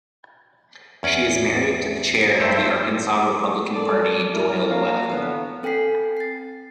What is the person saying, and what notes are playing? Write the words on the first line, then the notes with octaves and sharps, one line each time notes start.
She is married to the Chair of the Arkansas Republican Party Doyle Webb.
E2 C#4 D5
G2 A3 C5 E5
A4 A#4 D5
E4 A#4
A#3 D4 C#5 F5 A#5
D3 E3 B3
C4 A4 G5 G#5 B6 C7
A6 C7